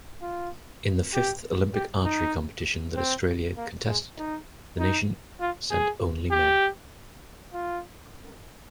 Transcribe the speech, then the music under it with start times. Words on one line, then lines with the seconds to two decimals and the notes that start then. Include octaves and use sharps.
In the fifth Olympic archery competition that Australia contested, the nation sent only men.
0.22 F4
1.13 G4
1.74 G4
2.05 D#4
2.96 C4
3.57 A#3
3.88 G#3
4.18 D#4
4.79 D#4
5.40 F4
5.71 G#4
6.31 G4
7.53 F4